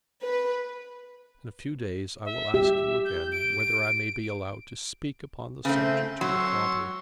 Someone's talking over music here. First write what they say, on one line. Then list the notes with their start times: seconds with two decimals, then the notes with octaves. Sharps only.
In a few days I will ask you again whether I may be allowed to speak upon the subject to your father.
0.22 B4
2.25 E5
2.54 G4 E5
3.04 G6
3.32 D7
5.65 C#3 A3 C4
6.21 F#3 C6 C#6 E6